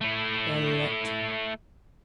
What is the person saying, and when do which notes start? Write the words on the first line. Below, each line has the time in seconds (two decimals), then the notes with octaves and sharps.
Bell et.
0.01 A3 E4